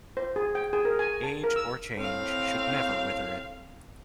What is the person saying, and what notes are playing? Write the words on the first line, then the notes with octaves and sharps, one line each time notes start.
Age or change should never wither it.
C5
G#4
G5
G#4
A#4
G#5
A5
A#4
E6
A2 C4 F5